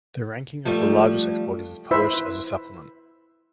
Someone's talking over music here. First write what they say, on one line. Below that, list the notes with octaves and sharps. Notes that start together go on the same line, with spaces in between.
The ranking of the largest exporters is published as a supplement.
F3 G3 A3
E4 B4 C5 E5